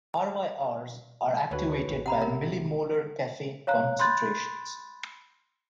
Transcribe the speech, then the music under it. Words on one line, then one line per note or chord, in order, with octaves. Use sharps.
RyRs are activated by millimolar caffeine concentrations.
D2 F#4 B4 C#5
A1
C3 F#5 A#5 B5
A#4
C#5 F5 A#5 F#6
B5 C6 F#6 G6 A6